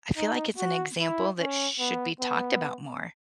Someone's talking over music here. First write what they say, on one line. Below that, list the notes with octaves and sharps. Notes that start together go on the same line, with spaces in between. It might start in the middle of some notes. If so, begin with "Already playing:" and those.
I feel like it's an example that should be talked about more.
D#4
F#4
E4
C#4
B3
B3